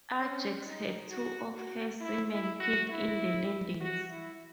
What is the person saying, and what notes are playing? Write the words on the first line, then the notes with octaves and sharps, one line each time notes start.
"Ajax" had two of her seamen killed in the landings.
C#4
D#4
F#4
F#4
E4
E4
F#4
E4
F#4
E4